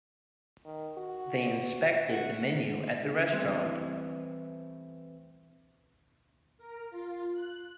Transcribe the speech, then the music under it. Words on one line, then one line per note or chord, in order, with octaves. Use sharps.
They inspected the menu at the restaurant.
D#3
F#4
F#4
E3 G3 A3 B3 C4
A#4
F4
F#6